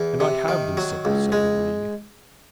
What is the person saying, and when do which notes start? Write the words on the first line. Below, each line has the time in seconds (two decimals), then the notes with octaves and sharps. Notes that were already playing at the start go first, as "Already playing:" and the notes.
'And I have been civil,' said Marie.
Already playing: E2
0.20 C3
0.48 D#3
0.77 F#3
1.05 C#2
1.32 G#3